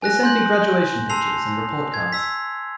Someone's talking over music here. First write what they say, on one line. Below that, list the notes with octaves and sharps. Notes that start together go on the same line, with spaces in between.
They send me graduation pictures and report cards.
G#5 F#6 A#6
C6 G6 F#7
A5 C6 E6 C7 F7
G#6
E6 B6